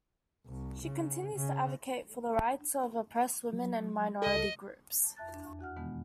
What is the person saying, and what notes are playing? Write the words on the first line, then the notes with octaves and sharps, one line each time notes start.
She continues to advocate for the rights of oppressed women and minority groups.
C2
C#3
C#3
F#3
C#2 A4 D#5
F2 E5 A5 F#6 A6
E2 D4
E2 F#4 F#5 F6
F2 B2 D#3 E3 G#3 B3